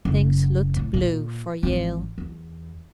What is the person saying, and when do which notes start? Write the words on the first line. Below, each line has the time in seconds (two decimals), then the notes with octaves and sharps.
Things looked blue for Yale.
0.05 F#1
0.76 A2
0.94 A#2
1.63 G#1 E3
2.18 E2